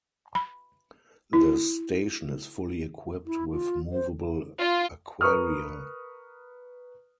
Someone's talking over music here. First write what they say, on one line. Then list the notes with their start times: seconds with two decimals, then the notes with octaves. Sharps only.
The station is fully equipped with movable aquaria.
0.35 B5
1.33 E4
3.26 E4
3.52 F4
3.92 C5
4.60 F4
5.21 A#4 B4 C#6 D#6 F6